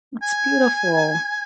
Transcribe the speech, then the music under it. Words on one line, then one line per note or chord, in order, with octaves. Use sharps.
That's beautiful.
G#5